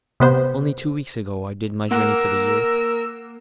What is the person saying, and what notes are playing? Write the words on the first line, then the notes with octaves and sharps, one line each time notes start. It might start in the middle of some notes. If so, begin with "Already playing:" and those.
Only two weeks ago I did my journey for the year.
C3 B3 C5
A#3 A#4 F#5 E6